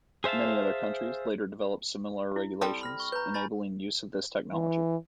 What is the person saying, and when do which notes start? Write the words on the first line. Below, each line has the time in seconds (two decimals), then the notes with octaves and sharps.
Many other countries later developed similar regulations, enabling use of this technology.
0.24 G#4 C5 E5 F5 A5
2.36 E4
2.61 G3 C4 A4 G5 A5
2.81 B5 F6 A#6
3.00 C#6
3.12 B4 A#5 G6
3.34 G#5 B5 A6
4.53 E3